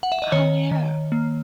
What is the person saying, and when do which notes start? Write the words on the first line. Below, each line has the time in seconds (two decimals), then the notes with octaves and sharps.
Oh, yeah.
0.03 F#5
0.12 E5
0.22 D#5
0.32 D#3 C#5
0.72 D#3
1.12 A#3